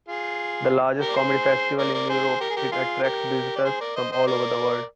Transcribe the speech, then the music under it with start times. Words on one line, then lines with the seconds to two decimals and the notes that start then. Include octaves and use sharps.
The largest comedy festival in Europe, it attracts visitors from all over the world.
0.08 F4 G#4
1.01 G4 A#4
1.09 D5
1.17 G#4 C5
1.78 A#4 D5
1.94 A#4 D5
2.09 G#4 C5
2.40 G4 A#4
2.50 G#4
2.56 G4 A#4
2.72 F4 G#4
3.03 G4 A#4
3.56 D5
3.65 G#4 C5
3.80 A#4 D5
3.96 C5 D#5
4.12 C5 D#5
4.27 A#4 D5